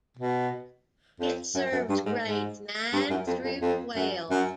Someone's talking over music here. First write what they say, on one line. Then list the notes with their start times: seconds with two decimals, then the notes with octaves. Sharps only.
It serves grades nine through twelve.
0.17 B2
1.20 F2
1.55 F#2
1.72 F#2
1.89 G2
2.06 G#2
2.24 G#2
2.93 G2
3.10 F#2
3.27 F2
3.44 F2
3.61 F2
3.96 F#2
4.31 F#2